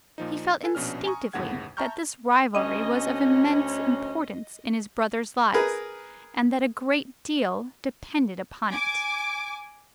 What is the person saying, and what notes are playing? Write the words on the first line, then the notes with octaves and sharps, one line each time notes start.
He felt instinctively that this rivalry was of immense importance in his brothers' lives and that a great deal depended upon it.
A#2 F3 D#4
A4 B4 G#5
A#1 B2 C#4 D4 F6
G#5 A#5 C#6 D#6
G1 D#2 A2 C#3 F#5 G#6
E5 A5 A#5 C#6 F6 G6
D2 C#4 D#5
G#4 A#4 B4
G#5 D6